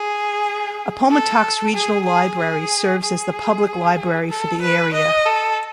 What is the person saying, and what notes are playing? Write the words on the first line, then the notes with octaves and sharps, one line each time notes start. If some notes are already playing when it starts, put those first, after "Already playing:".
Appomattox Regional Library serves as the public library for the area.
Already playing: G#4
A4
G#4
G#4
G#4
G#4
A4
B4
D#5
A4